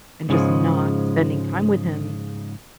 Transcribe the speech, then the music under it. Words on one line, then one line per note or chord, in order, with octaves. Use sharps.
and just not spending time with him,
G#2 C#3 F3 G#3